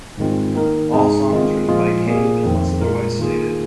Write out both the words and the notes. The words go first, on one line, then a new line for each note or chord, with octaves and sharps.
All songs written by Cave unless otherwise stated.
G#2 D#3 G#3 C4 F4
D#3 A#3 D#4 A#4
G#2 G#3 D#4 G#4
D#3 G#3 C4 F4
A#2 F3 G#3 F4 G#4
A#2 A#3 G#4
F2 D#3 C4
A#2 G#3 F4 A#4
D#3 A#3 F4 G#4